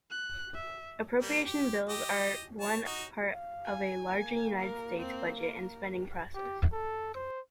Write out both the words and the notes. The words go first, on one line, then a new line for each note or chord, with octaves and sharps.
Appropriations bills are one part of a larger United States budget and spending process.
F#6
E5
G3 A#3
G4
G4 D#5
C#5 A5
D#4 F#4
F5
G#5
A#3
A#4
C4
A#4
G4
A4
C5